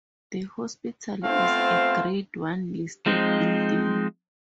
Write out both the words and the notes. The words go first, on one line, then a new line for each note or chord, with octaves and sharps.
The hospital is a grade one listed building.
A3 B3 C4 F4 C5 F5
F3 G#3 C4 D#4